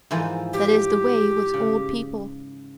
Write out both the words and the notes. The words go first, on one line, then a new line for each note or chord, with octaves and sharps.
That is the way with old people!
G#2 E3 F3
G4
C#3